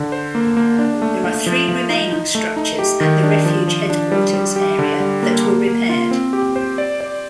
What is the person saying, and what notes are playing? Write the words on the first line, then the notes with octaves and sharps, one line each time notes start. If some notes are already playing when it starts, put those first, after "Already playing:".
There are three remaining structures at the refuge headquarters area that were repaired.
Already playing: D3
C5
A#3
A#3
D4
A3
A3
F3
F3
D#4
D#4
A3
D#4
G4
D#3
D4
F3
F3
D4
G3
G3
G4
D3
G3
A#3
A#3
A#3
F4
C4
G4
C5
D5
D5